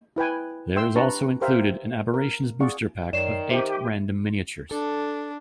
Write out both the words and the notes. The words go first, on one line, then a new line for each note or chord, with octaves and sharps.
There is also included an Aberrations booster pack of eight random miniatures.
E4 B4 G5 G#5
E5 G5 C6 E6
D4 G4 B4 A5 A#5 C#6
G4 A#4 C5 E5 F5
A#4
G#4 D5 F5 F#5 C#6
F#2 D#3 C#5 D5 C7 E7
G4 C5 E5 D#7
D4 A4